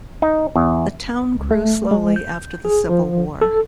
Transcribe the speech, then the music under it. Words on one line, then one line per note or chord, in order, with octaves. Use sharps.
The town grew slowly after the Civil War.
D#4
E2
C#2
A3
G#3
G6
G#4
F3
A4